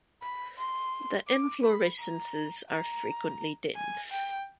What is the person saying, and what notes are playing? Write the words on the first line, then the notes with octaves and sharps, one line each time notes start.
The inflorescences are frequently dense.
B5
C6
D6
B5
A#5
A#5
G#5
G5